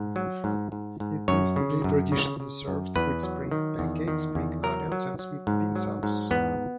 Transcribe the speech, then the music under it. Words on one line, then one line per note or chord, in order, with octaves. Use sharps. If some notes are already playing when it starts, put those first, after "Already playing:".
It is today traditionally served with spring pancakes, spring onions and sweet bean sauce.
Already playing: G#2
F#3
G#2
G#2
G#2
F#2 C#5
C#3
F#2
C#3
C#3
F#2
E2 B4
F#3
D#3
E2
D#3
E2
F#3 A#4
F#3
F#3
G#2
F#3
G#2
E2 B3